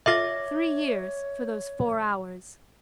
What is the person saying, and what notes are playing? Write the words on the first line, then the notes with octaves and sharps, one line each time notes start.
Three years for those four hours.
F4 A4 C#5 D#5 E5 D6 A#6